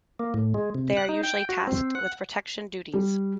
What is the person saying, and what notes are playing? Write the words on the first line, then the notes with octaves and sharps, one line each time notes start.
They are usually tasked with protection duties.
A#3
A2
G#3
C3
F#6
D#4
G5
F#4
C4
F#5
G3